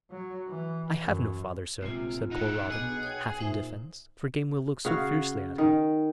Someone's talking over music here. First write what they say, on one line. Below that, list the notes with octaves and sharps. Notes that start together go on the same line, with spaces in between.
"I have no father, sir," said poor Robin, half in defense; for Gamewell looked so fiercely at him.
F#3
E3
F#2
A#1 A2 C3 G#3 F4
E3 D#4 F#5
B1 B3 D4 G#4 D#5
C#5 G5
A#2 D#4 C5 E5
C#3 F#4 F5
D#3